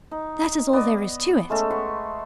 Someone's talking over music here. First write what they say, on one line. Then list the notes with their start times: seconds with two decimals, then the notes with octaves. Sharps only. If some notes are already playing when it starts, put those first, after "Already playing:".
That is all there is to it.
0.11 D#4
0.73 B3 D5 D#5
1.50 G#3 A3 C#4 A4
1.70 B4 F#5 C6 C#6